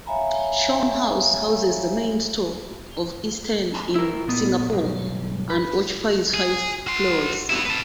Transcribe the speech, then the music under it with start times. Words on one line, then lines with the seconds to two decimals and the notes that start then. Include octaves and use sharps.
Shaw House houses the main store of Isetan in Singapore, and occupies five floors.
0.06 C#5 E5 F5 G#5 A#5 B5
3.95 E4 A#4
4.27 A#2 B3
4.72 B1 G2
5.50 B4
6.34 G#4
6.87 F#4 C6
7.50 B3 E4
7.65 B4 A5